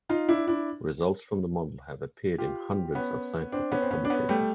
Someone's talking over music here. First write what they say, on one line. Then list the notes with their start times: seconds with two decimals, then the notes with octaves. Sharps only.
Results from the model have appeared in hundreds of scientific publications.
0.09 D#4 F4
0.29 D4 E4
0.47 D4 E4
2.38 F4 G4
2.95 B3 C#4
3.52 C4 D4
3.72 B3 C#4
3.82 C4
3.91 B3 C#4
4.05 D4
4.10 B3 C#4
4.29 G3 A3